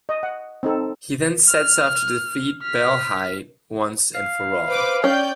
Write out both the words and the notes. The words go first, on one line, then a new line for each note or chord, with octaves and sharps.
He then sets off to defeat Baelheit once and for all.
D#5
F#5
C4 D#4 A4
F6
F6 B6
F5
B4 C5 D6
C#4 D5 G5 G6